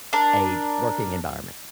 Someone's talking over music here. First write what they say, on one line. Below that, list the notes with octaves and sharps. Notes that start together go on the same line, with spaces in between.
a working environment.
D4 A#4